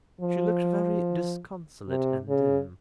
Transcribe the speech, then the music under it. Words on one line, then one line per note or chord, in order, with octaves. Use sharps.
She looked very disconsolate and dim.
F3
C3
C#3